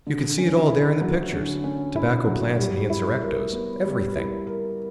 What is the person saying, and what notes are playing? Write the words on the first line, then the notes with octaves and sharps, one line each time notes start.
You could see it all there in the pictures--tobacco plants and the insurrectos--everything.
D3
C#4
E4
F#3
D3
C#4
E4
F#3
G3
E4
A#4
B3
G3
E4
A#4